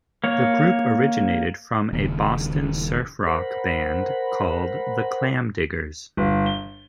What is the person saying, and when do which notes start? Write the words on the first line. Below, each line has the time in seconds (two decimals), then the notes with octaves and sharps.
The group originated from a Boston surf rock band called 'The Clamdiggers'.
0.24 A#3 C#5
1.93 D#1 C#3
3.27 A#4 C5 F#5 B5
6.17 G1
6.46 G7